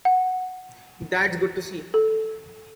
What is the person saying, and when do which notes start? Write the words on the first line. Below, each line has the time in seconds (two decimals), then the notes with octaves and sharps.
That's good to see.
0.05 F#5
1.94 A4